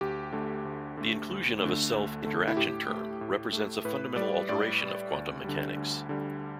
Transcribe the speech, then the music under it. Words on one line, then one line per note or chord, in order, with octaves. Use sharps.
The inclusion of a self-interaction term represents a fundamental alteration of quantum mechanics.
D2 G4
D3 A3
D2
D3 A3
D2
D3 A3
D2
D3 A3
E4
A2 G4
A3
A2
A3
A2 B4
G3 D5
A2 D5
G3
D2
D3 G3
D2
D3 G3